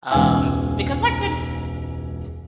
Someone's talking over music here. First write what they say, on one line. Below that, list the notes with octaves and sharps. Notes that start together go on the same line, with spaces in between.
um, because I couldn't,
E1 C#2 G#2 F5 G#5 E6